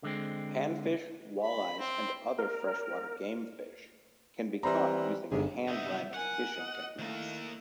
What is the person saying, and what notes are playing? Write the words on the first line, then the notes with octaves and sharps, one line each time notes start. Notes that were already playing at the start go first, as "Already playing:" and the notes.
Panfish, walleyes, and other freshwater game fish can be caught using handlining fishing techniques.
D3 G#3 C4
B5
C4
A#4
E3 G3 C4 A#5 C6
G1 G#2 C3 G#4
C2 D#4 E5
A#4 F#5 G#5
D#5
D#3 A3 A#3 E4